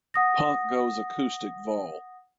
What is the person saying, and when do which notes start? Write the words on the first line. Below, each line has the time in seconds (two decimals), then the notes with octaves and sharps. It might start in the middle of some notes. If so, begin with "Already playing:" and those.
Punk Goes Acoustic Vol.
0.14 F#5 D#6 A#6